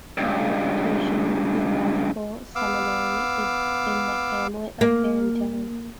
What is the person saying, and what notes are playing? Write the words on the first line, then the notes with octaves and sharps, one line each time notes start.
The Unification Theological Seminary is in the hamlet of Barrytown.
C#2 G2
B3 F5 D6 E6
A#3